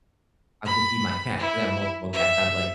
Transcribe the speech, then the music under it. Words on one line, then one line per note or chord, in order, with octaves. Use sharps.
I'll go feed my cats 'cause I have multiple cats, I have like,
B5
E4
E5